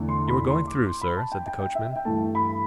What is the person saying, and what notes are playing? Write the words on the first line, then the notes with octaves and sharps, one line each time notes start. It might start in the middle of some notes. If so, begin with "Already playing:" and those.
'You are going through, sir?' said the coachman.
Already playing: E2 D3 A3
C6
B5
C6
D6
C6
B5
A5
G5
G5
G5
E5
G5
G2 E3 A3 A5
B5